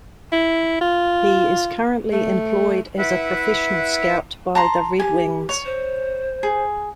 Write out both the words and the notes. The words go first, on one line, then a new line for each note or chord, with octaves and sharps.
He is currently employed as a professional scout by the Red Wings.
E4
F4
A3
E4 B4 E5 F#5
A5 A#5 C6
G4 G#5
C#5
C5
G#4